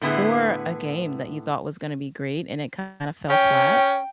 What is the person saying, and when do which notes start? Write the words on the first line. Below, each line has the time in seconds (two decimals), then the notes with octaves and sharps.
or a game that you thought was gonna be great and it kinda fell flat?
0.01 A2 D3 A3 B3 E4 G#4
3.30 C#4 G5